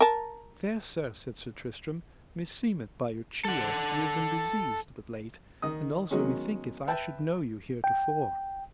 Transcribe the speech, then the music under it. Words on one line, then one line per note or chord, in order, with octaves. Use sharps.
Fair sir, said Sir Tristram, meseemeth by your cheer ye have been diseased but late, and also methinketh I should know you heretofore.
A#4 A5
A4 F#5
D#3 D#5 D#6
B2 D#3 F#3 G#3 C#4
B4 E5 G5 A5
G5